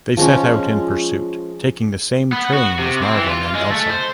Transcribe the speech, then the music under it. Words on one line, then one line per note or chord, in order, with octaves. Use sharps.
They set out in pursuit, taking the same train as Marvin and Elsa.
F3 G#3 C#4
B3
F#4
C3
C4
E3
F4
G#3
A3
C5